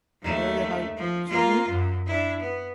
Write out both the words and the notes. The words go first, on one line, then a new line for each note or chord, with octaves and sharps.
Burgerhout jr.
D#2 A3
F3
A#3 F4
F#2
D4 E4
B3